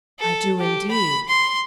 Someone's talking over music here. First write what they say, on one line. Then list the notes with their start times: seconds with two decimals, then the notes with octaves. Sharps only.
"I do, indeed."
0.19 A4
0.59 G4
0.91 B5
1.29 C6